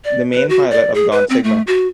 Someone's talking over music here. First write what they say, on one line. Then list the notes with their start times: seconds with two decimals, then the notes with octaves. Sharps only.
The main pilot of God Sigma.
0.05 D5
0.32 B4
0.49 F#4
0.71 D5
0.94 G#4
1.12 B4
1.30 C4
1.44 A3
1.67 F#4